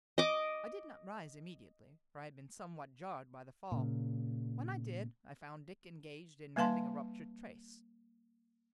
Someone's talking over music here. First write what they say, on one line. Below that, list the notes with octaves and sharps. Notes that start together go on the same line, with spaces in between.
I did not rise immediately, for I had been somewhat jarred by the fall; when I did I found Dick engaged in mending a ruptured trace.
D#5 D6
A#2 C#3
G3 A#3 B4 F5 A5 C6